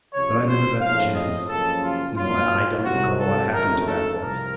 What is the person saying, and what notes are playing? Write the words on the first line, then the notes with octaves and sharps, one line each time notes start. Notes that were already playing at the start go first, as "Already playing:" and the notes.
But I never got the chance. No, I don't recall what happened to that watch.
C#2 C3 F3 C#5
C5
A#1 A2 F3 C4 F5
D#5
F#2 C#3 F3 A#3 A4
F4
A#2 F#3 A#3 F4
C2 C3 F#3 F#4
A4
F#1 F#2 D#3 A3 D#4 A#4
A4
C2 C3 F3 C4 A#4